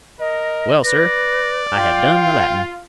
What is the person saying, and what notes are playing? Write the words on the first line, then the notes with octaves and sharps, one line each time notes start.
"Well, sir, I have done the Latin."
A#4 D#5
B4 D5 A#6
F4 F5 G5